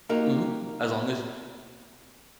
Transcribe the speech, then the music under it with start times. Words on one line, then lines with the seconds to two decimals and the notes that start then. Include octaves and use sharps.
Mhm, as long as y
0.09 A#3 D#4 F#4 G4 A#4